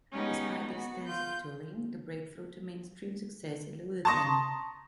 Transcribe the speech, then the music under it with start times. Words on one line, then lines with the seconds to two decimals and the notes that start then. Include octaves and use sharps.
Despite extensive touring, the breakthrough to mainstream success eluded them.
0.13 G#3 B3 C#4 D#4 G4
0.69 B3 F#4
1.07 F4 G6
4.05 A5 A#5 C6 C#6 D#6 A#6